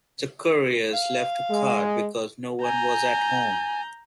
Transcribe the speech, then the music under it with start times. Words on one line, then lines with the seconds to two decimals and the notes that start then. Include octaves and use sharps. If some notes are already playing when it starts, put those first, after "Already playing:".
The couriers left a card because no one was at home.
0.93 F5
1.50 G#3
2.63 G#5 A#5 G6